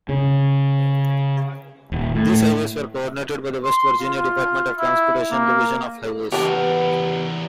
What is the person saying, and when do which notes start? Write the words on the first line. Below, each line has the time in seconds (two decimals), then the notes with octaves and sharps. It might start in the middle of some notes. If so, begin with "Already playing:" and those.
These highways were coordinated by the West Virginia Department of Transportation, Division of Highways.
0.09 C#3
1.92 D#1
2.15 A2
3.64 C6
4.00 F4
4.77 E4
5.32 A#3
6.32 E2 G3 B3 D4 G4 A#4